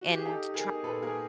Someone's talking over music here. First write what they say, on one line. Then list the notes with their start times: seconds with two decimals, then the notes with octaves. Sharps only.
and trying
0.01 F#4
0.10 G4
0.18 G#4
0.25 D#4 G4 A4
0.45 D#4
0.54 G#4 A#4
0.64 D#4
0.83 A#2 A4 B4
1.02 A#3 G#4 A#4